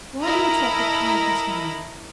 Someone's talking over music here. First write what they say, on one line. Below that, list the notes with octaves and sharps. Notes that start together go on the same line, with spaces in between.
"Why do you talk of kindness now?"
E4 A4 A#4 D#5 A#5 B5